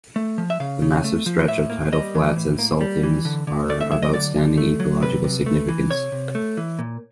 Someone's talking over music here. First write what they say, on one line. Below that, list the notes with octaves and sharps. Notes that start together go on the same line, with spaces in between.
The massive stretch of tidal flats and saltings are of outstanding ecological significance.
A3
F3
E5
C#3 F5
C#3
A3
F3
A2 E5
A#3
G3 D#5
E3
A2
A#3
G3
E3
D3
D3
A3 D5
E5
F#3 E5
D#5
D3 D5
D3
A3
F#3
C3 B4
C3
A3
E3
C3 C#5
C3
A3
E3
A#2